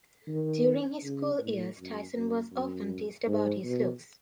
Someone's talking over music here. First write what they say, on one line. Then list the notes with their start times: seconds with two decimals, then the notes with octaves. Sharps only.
During his school years, Tyson was often teased about his looks.
0.28 D#3
1.03 C#3
1.40 A2
1.78 F#2
2.15 F#2
2.52 F#2
3.27 G#2
3.64 B2